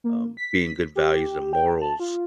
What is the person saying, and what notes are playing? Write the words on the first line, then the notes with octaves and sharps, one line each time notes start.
um, being good values and morals,
A#3
B6
G4
G5
A5
F4